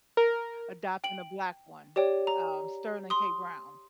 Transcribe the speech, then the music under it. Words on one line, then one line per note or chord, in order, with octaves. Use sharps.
adopting a black one, um, Sterling K. Brown.
A#4
G5 D7 F#7
G4 C#5 D5 G5
A#5
C6 D#6